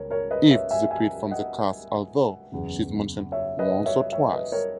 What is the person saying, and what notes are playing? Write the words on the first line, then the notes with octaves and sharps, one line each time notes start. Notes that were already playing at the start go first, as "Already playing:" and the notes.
Eve disappeared from the cast although she is mentioned once or twice.
Already playing: C#2 C#3 G#3 A#4 C#5
A#4 C#5
B4 D#5
C#5 E5
E5 G#5
E5 G#5
D#5 F#5
F#1 E2 C#3
C#5 E5
B4 D#5
C#5 E5
C#5 E5
B4 D#5
A#4 C#5